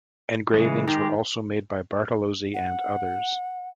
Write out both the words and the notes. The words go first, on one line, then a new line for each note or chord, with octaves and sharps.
Engravings were also made by Bartolozzi and others.
C#3 E3 G#3
D#3 G#3 G4
F#5